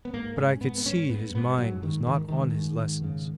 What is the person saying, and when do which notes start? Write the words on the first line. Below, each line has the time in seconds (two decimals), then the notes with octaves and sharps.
But I could see his mind was not on his lessons.
0.05 B3
0.14 G#2 A#3
0.37 G#2 C#4
0.61 G#2 B3
0.78 B3
0.85 G#2 C#4
1.09 G#2 B3
1.34 G#2 B3
1.58 G#2 F#3
1.82 G#2 D#3
2.06 G#2 D#3
2.28 G#2 D#3
2.55 G#2
2.79 G#2
3.04 C#3